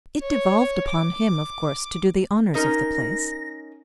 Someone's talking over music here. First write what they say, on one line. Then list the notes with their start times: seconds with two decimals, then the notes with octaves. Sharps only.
It devolved upon him of course to do the honours of the place.
0.21 C#5
0.88 D6
2.54 C#4 D#4 A#4 A#6